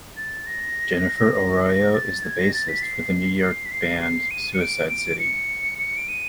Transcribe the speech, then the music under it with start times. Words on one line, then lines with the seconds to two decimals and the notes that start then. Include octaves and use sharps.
Jennifer Arroyo is the bassist for the New York band Suicide City.
0.17 A6
0.47 A#6
1.64 A#6
1.94 A6
2.24 G#6
2.39 A#6
2.54 A6
2.68 B6
2.83 C7
3.42 C7
3.66 B6
3.72 C7
4.01 C7
4.31 D#7
4.54 C#7
4.61 D7
4.90 D7
5.19 C#7
5.78 C#7
5.97 D7
6.08 D#7